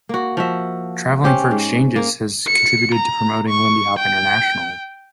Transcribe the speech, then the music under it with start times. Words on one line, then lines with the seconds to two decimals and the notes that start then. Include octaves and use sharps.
Traveling for exchanges has contributed to promoting lindy hop internationally.
0.09 A#3 F#4
0.37 F3 F#4 E5
1.24 C#4 G4 C5
1.51 G#2
1.96 A#3
2.47 C#7
2.95 A#5
3.49 C#6
3.99 G5